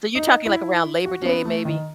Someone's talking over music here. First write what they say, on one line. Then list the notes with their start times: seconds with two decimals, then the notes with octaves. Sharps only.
So you're talking. like, around Labor Day maybe?
0.15 D#4
0.46 E4
1.06 F#4
1.22 C#4
1.25 B3
1.45 A3
1.65 D#3